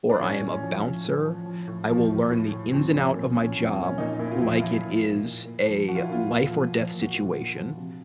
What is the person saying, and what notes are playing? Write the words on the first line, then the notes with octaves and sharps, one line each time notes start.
or I am a bouncer, I will learn the ins and out of my job, like it is a life-or-death situation,
D4
A2 C#4
A2
C#4
F3
F3
A2
F3
F3
A2
F3
A2
A2
A2
F3 C4
F3 C#4
A#2 C4
F3 C#4
C#4
F3
C4
A#2 C#4
A#2 D#4
A#2 E4
F4
F3 E4
F4
F3 E4
A#2
A#2
A#2
A#2
F3
F3 F#4
F4
E4
A#2 F4
A#2
F3
F3
A#2
F#4
A#2 F4
A#2
F3
C3